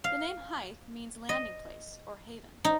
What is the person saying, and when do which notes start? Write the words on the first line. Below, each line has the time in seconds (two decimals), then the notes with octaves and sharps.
The name Hythe means landing-place or haven.
0.04 F5
1.29 D#5
2.65 D#4